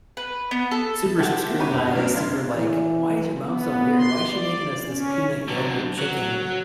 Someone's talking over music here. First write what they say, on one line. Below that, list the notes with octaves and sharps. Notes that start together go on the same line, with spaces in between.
Super s scrutinized, super like, "Why is your mom so weird? Why is she making us this peanut yogurt chicken?"
B4
B3
A4
G4 C5 E5 F#5 A5
C#4 F#4 G4 B4 C#5
G#1 D2 G2
C#3 F#3 A3 B3 D4 A#4
F2 F5 C6 G#6
E3
B3
C6
D5
C#4
D3 F#3
F#3